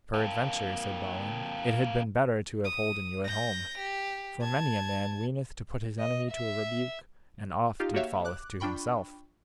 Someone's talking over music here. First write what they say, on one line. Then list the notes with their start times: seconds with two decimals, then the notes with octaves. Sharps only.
Peradventure, said Balin, it had been better to have holden you at home, for many a man weeneth to put his enemy to a rebuke, and oft it falleth to himself.
0.14 F2 A#3
2.64 D#6
3.24 G6 A#6
3.78 G4
4.41 A5 G#6
5.99 D#5
6.31 E5
7.80 D#4 F4 G4 F5
7.94 A#3 F#4 G4 C#5 E5 F5
8.25 D6 F#6
8.60 D4 F4 G5 B5 C#6